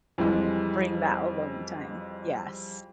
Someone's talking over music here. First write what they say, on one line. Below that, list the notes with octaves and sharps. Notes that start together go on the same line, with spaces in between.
bring that alone time. Yes.
F2 E3 G3 G#3